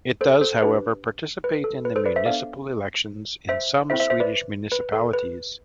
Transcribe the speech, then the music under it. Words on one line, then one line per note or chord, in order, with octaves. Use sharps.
It does, however, participate in the municipal elections in some Swedish municipalities.
A4 C5
A4 C5
D4 G4 B4
B4
A4
B4
A4 C5
B4 D5
C5 E5
B3 D4 A4 D5 F5
C5 E5
C4 E4 A4 C5 E5
C5 E5
C5 E5
B4 D5
B4
A4
B4